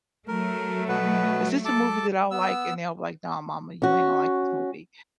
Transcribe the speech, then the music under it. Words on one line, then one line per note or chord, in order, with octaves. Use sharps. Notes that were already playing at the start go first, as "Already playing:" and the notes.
is this a movie that I like?" and they'll be like, "Nah mama, you ain't gonna like this movie."
F#3 A3 A#4
B2 B3 B4
A4 A5 D6
B3 E6
C#4 F#4